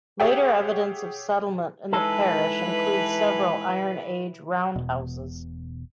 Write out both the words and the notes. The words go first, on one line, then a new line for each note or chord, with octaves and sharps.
Later evidence of settlement in the parish includes several Iron Age roundhouses.
G4 G#4 C#5 E5 F#5 G5
E3 G#3 D#4 A4 B4
E1 B2